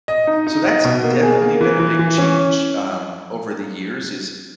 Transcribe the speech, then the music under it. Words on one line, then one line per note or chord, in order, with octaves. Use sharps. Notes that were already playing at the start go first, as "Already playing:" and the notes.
So that's definitely been a big change, um, over the years is
D#5
D#4
D#4
D#5
B2
A#3
G#4
A#3
E3
E3
E3
C#4